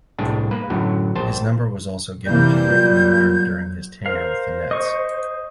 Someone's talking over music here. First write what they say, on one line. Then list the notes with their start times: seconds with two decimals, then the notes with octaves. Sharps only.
His number was also given to Rick Mahorn during his tenure with the Nets.
0.19 C2 A2 D4 G#4
0.51 A#3 B4
0.70 F#2 A2 D3 F#3
1.15 A#1 C5 A5
2.26 C3 E3 G3 A#3 G6
2.69 A#2 F#3
4.06 A#4 C5 F5
4.71 D#5 C#6